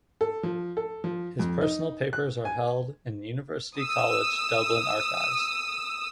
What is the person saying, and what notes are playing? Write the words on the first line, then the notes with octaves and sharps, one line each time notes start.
His personal papers are held in University College Dublin Archives.
A4
F3
A4
F3
F2
D#4
F#6
G#5
D#6 E6